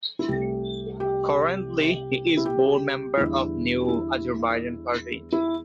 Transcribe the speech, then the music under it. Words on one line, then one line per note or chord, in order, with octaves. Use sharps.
Currently he is board member of New Azerbaijan Party.
E4
C2 C3 A3 G4
G4
E4
G4
E2 D3 G3 E4
G4
E4
E4